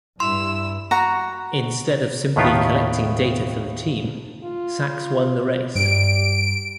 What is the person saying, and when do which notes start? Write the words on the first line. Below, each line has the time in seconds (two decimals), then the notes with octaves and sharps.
Instead of simply collecting data for the team, Sacks won the race.
0.20 G2 E4 C6 E6
0.91 F#4 F#5 A#5 B5
2.36 D#2 A2 D#3 B3 F4 G4
4.44 F4
5.75 G2 G3 D7